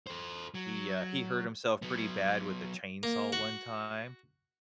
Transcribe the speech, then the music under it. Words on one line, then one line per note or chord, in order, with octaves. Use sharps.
he, uh, he hurt himself pretty bad with a chainsaw one time,
A4 C5
F#3
F#3 B3
A#3
F#4